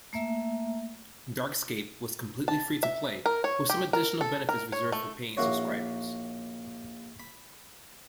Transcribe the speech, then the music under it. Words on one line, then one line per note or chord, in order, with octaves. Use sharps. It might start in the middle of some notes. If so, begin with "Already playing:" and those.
"DarkScape" was completely free to play, with some additional benefits reserved for paying subscribers.
A3 A#3 E5
A5
E5
A#4
C#5
G4
A#4
A4
A#4
C#5
A3
A#1 A#3 E4 F#4 C#5
B5